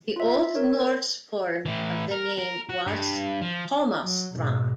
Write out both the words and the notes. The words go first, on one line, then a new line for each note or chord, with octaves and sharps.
The Old Norse form of the name was "Holmastrand".
F4 E5
A#4 C#5
A2 E3
A#4
A#4
F#4
G2
F3
F#3
G#2 B2